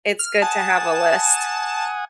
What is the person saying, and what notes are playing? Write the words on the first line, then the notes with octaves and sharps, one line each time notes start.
it's good to have a list.
F6
F#5 G#5 A5 D#6